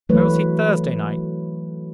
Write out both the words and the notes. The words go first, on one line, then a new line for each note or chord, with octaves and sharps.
Where was he Thursday night?
E3 F#3 A3 B4 C#5